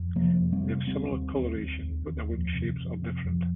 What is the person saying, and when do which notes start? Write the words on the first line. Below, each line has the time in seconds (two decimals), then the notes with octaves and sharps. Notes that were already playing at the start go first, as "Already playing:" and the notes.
They have similar coloration, but their wing shapes are different.
Already playing: F2
0.16 C3 F3 A#3
0.40 F2
0.52 G3 C4
0.64 C3
0.87 D#2 G3 C4
1.11 D#2
1.35 D#2
1.59 D#2
1.82 D#2
2.06 D#2
2.31 F2
2.54 C3
2.78 F2
3.02 C3
3.25 F2